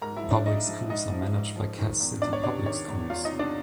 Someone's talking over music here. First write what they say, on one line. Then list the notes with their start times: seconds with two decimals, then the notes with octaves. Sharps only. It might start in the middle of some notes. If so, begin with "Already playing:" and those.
Public schools are managed by Cass City Public Schools.
0.02 G#2 A#4 A#5
0.17 E4 E5
0.23 F3
0.31 D4 D5
0.46 G#2 D#4 D#5
0.68 F3
0.89 G#2 D#4 D#5
1.12 F3
1.33 G#2
1.56 F3
1.78 D#3
2.00 E2
2.22 E2 D4 D5
2.33 C#5
2.43 C3 D4 D5
2.66 D#3 C#5
2.88 E2
3.10 E2 F4 F5
3.25 D#4 D#5
3.32 C3
3.39 D4 D5